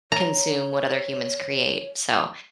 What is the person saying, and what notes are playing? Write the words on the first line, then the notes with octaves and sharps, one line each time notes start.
consume what other humans create. So
C#5 A#5